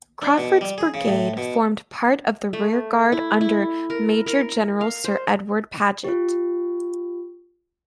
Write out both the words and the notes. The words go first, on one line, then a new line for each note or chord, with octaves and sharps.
Craufurd's Brigade formed part of the rearguard under Major General Sir Edward Paget.
D4
B2
G3
G#4
C#3
A2
B2
A3
E4
E4
A#4
A#4
F5
C5
F4 G4